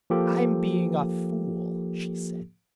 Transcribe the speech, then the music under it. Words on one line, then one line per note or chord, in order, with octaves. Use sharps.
"I'm being a fool," she said.
F3 A#3 G4 A4